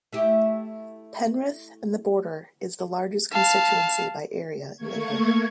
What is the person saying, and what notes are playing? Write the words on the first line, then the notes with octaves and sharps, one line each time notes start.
Penrith and The Border is the largest constituency by area in England.
A3 E4 G4
F5 A5
A3 A#3 C#6 G#6